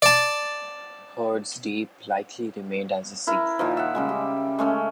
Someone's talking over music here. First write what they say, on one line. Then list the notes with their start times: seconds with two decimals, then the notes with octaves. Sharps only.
Hurd's Deep likely remained as a sea.
0.02 D5 A5
3.27 E4 A#4
3.59 A#2 D#3 F3
3.77 E5 F#5
3.95 C#3 G3 G#3
4.09 G4
4.59 G#3 A3 C#4